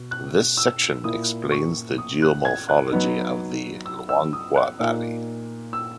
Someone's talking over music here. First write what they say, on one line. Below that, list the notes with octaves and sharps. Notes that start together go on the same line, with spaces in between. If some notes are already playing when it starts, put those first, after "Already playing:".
This section explains the geomorphology of the Luangwa Valley.
Already playing: B2
F#6
E6
A#2 A#3 E4 D#6
C#6
D#6
F#6
G#6
F#6
F#3 B3 D#4
E6
E6
D#6
F#6
A#2 A#3 D#4
E6